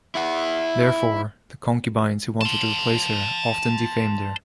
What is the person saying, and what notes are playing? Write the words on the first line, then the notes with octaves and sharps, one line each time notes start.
Therefore, the concubines who wanted to replace her often defamed her.
E4 F#5
A5 C6